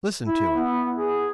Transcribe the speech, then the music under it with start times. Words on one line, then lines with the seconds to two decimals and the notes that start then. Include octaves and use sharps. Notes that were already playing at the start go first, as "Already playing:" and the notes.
Listen to it!
0.27 E4
0.54 B3
0.95 G#4